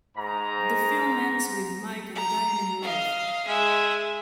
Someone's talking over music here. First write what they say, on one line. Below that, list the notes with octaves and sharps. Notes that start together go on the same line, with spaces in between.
The film ends with Mike and Diane in love.
G#2 A#5
A#5
D#5 F5
G#3 E5